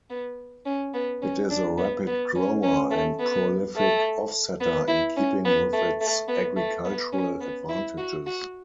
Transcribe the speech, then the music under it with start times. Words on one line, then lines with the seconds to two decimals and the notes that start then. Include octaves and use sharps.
It is a rapid grower and prolific offsetter in keeping with its agricultural advantages.
0.10 B3
0.66 C#4
0.94 B3
1.22 C#4
1.50 D4
1.78 B3
2.07 B3
2.35 C#4
2.63 C#4
2.91 A3
3.19 B3
3.76 A3
4.60 B3
4.88 E4
5.16 C#4
5.45 B3
5.73 A3
6.01 A3
6.28 B3
6.56 A3
6.85 B3
7.13 C#4
7.41 B3
7.69 E4
7.98 F#4
8.26 F#4